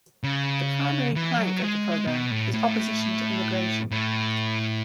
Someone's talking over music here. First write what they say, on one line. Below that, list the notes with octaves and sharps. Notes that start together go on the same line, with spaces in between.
The primary plank of the program is opposition to immigration.
C#3
E3
F#3
G#3
B2
A2
A2
A2